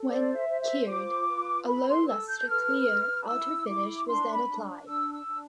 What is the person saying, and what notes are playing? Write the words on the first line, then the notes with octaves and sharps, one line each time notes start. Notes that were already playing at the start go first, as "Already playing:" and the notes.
When cured, a low-luster clear outer finish was then applied.
Already playing: A4
C5 D5
E5
C5
E5
F4 D6
B4
A4 B5
C6
A4 E6
G6
B4 F6
B4
E4 E6
E4 D6
D4 C6
B5
D4
D4 E6
E6
D4